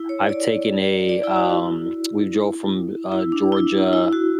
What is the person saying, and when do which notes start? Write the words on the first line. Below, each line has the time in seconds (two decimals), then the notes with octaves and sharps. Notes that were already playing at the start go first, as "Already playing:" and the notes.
I've taken a, um, we drove from, uh, Georgia
Already playing: E4
0.09 C#5
0.29 D5
1.09 D5
1.24 E4
1.36 F#4
1.50 E4
3.12 E4
3.32 D4
3.52 E4
3.93 E4
4.13 F#4